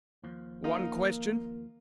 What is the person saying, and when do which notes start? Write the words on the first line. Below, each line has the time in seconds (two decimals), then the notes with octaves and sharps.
"One question."
0.24 D#2 F3
0.64 A#3 D#4 F4